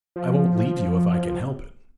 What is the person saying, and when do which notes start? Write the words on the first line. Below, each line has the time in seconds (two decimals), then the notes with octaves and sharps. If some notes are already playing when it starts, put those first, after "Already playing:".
I won't leave you if I can help it.'
0.16 F3